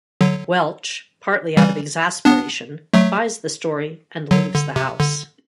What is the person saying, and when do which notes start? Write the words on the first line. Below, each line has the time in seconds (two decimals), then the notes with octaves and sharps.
Welch, partly out of exasperation, buys the story and leaves the house.
0.21 D3 F#3
1.57 E3 G3
2.25 B3 D4
2.94 F#3 A3
4.30 D3 F#3
4.54 D3
4.76 C3
5.00 D3